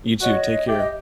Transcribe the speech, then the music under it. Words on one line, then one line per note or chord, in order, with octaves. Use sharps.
You, too, take care.
F#4 C#5 D#5
G4 E5
D#5